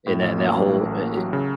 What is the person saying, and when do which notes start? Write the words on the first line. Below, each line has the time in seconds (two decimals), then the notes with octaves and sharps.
in that that whole, eh eh
0.07 A2
0.23 A1
0.38 A#3
0.54 F#3
0.69 A2
0.85 A1
1.02 A#3
1.17 F#3
1.33 C#3